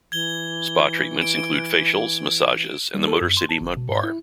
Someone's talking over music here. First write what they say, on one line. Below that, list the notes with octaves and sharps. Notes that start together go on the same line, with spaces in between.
Spa treatments include facials, massages, and the MotorCity Mud Bar.
E3 G#6 G7
D7
G3
A4
F#2
C6
A5
G1
B2
G#2
E4